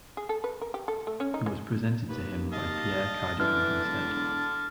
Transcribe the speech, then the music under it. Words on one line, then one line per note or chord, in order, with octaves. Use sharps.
It was presented to him by Pierre Cardin instead.
G#4
A4
B4
A#4
G4
A4
A3
C#4
D#4
E3
D#2 B4
D#5 F5 A5
D3 E3 A5 F6
E1